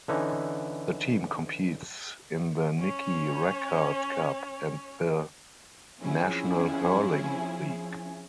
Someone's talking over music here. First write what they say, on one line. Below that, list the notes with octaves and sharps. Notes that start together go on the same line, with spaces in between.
The team competes in the Nicky Rackard Cup and the National Hurling League.
D3 E3 C#4 D#4
C#4 C#5
F3 C4 C#4 E4 G#4